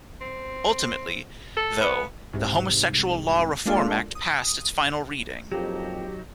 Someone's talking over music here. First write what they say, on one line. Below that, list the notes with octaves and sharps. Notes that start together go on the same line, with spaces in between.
Ultimately, though, the Homosexual Law Reform Act passed its final reading.
C4
A4
B3
C2 G#2 C3
G#3 A#3 D4 F4 A4
D#6
A#1 F2 F#3 D#4 G4